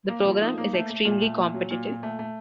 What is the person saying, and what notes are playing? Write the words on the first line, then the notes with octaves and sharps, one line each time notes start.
The program is extremely competitive.
A#3
F3
D#4
A#3
A3
A3
A#2
A3
A#2
F#3
A#2
A#2
A3
A3